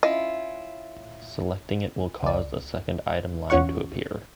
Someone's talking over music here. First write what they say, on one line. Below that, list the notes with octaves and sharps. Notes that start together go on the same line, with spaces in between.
Selecting it will cause a second item line to appear.
C#4 E4 F4 D#5
C#2 D5
E2 C#4 F4 C#5 F#5 C#6